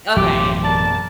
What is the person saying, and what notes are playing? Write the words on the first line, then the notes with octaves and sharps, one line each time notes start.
Okay, yeah, yeah.
A1 F#2 B2 F#3 G#3 F4 G4
A#4 D5 A5